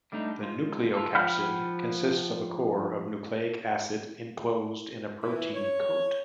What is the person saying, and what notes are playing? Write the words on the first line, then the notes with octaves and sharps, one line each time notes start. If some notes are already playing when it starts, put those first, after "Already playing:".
The nucleocapsid consists of a core of nucleic acid enclosed in a protein coat.
G3 A3 D4 D#4
G#3 F4
F4 A4
F3 F#5 G5 B5 F6
E3
C#5